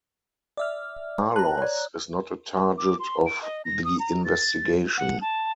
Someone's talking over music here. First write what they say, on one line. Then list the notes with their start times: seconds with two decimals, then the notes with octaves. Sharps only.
Carlos is not a target of the investigation.
0.57 D5 E5 F6
1.36 A5 A#5 F#6
1.58 C#5 D5
2.78 D6
3.00 C6
3.26 D7
3.42 D#5
3.65 A#6
3.85 D#6
3.99 A#5
4.25 A6
4.97 F#5
5.21 A5